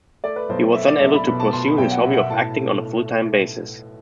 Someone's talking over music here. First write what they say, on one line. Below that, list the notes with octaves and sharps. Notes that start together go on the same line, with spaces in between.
He was then able to pursue his hobby of acting on a full-time basis.
A3 D5
B4
B1 C5
A3 E5
D5
B1 E5
B5
B2 B5
A5
B2 C6
B5
B1 G5
F#5
B2 E5
F#5
E5
A2 A5
A3